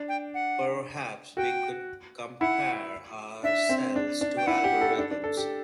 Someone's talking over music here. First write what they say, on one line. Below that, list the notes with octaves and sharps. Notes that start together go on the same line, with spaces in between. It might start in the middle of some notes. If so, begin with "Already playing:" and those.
Perhaps we could compare our cells to algorithms.
Already playing: D4
G5
F#5
F#4 G5
E4 F#5
D4 E5
C4
D4
D4
G5
E4 F#5
G4
A4
D4
D4
A4
G4